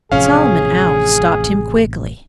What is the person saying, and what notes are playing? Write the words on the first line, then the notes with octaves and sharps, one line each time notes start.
Solomon Owl stopped him quickly.
A1 C3 F3 C#4 G#4 F5